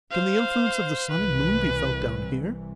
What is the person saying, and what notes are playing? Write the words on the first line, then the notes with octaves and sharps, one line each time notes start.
"Can the influence of the sun and moon be felt down here?"
C5 F5
C2 C3 E3 B4